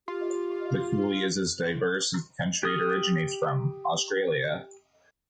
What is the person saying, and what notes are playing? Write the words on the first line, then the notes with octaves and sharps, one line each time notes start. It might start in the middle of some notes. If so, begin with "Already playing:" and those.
The Koolie is as diverse as the country it originates from, Australia.
F4 G4
G4 D#6 F6